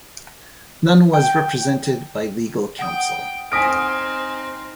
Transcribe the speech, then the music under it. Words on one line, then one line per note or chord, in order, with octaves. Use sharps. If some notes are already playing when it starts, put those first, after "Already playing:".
None was represented by legal counsel.
G5
F#5 G5 D#6
C4 D#4 G#5 D#6 F6 A#6 B6 D7